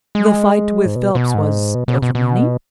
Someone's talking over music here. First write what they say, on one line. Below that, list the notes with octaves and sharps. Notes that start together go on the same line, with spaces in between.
"The fight with Phelps was over money?"
G#3
G#2
B2
B2
G#2
B2
B2
B2
B2